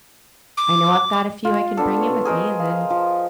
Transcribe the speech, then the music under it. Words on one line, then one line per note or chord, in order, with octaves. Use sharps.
I know I've got a few I can bring in with me, and then,
D6
F4
B3 D4 A4
C#5
G#4 A#4 C5 D#5
F5
F3